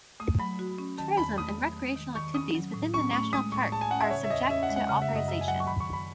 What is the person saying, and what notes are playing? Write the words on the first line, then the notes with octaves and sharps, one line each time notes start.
Tourism and recreational activities within the national park are subject to authorization.
A3 D#6
F#3 B5
F#4
C#4
D#3 A5
E2 B5
A3 D#6
F#3
G#3
D#3
D#3 C#6
C#4 D#6
F#3
A2
C#4 C#6
A3 C#6
G#3 D#6
A2 C#6
G#4 A5
G#5
C#4 F#5
E5
C#3 C#5
E5
E2 D#5
C#4 E5
F#5
G#3
F#5
C#3 F#5
E5
F#2
D#5
F#2 E5
G#5
F#3 F#5
C#6
D#3 B5
C#6
F#2
B5